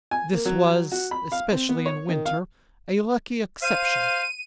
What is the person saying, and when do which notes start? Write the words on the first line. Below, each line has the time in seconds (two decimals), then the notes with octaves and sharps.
This was, especially in winter, a lucky exception.
0.11 G#5
0.33 A#3
0.45 F#3
0.92 F#4
1.11 B5
1.32 F5
1.51 C4
1.69 B3
1.86 C#5
2.09 D#3
2.26 F5
3.62 C5 F5 D#7